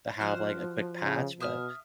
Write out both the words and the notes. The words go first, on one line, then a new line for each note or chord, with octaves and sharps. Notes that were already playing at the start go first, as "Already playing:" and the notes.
have, like, a quick patch, but
F3 F#4 C5 F6
C#3
B2 E5 D#6 F6